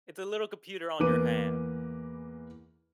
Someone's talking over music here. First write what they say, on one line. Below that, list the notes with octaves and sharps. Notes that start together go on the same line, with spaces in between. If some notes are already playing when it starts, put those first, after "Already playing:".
It's a little computer on your hand,
E2 E3 A#3 B4 D6 D#7